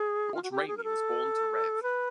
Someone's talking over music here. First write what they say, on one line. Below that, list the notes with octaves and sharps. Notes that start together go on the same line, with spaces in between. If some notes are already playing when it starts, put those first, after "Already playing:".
George Rainy was born to Rev.
Already playing: G#4
F4
F#4
G4
G#4
A#4
A4
B4